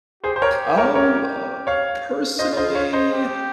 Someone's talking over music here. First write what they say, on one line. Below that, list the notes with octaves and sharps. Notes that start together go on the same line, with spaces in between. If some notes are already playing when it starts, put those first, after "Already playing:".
Um, uh, personally,
G4 G#4 C5
C5
A#4 C#5
A#4 C#5
A#4 C#5
C#5 F5
F4 C5 D#5
C5 D#5
C#5 F5
C5 D#5
G4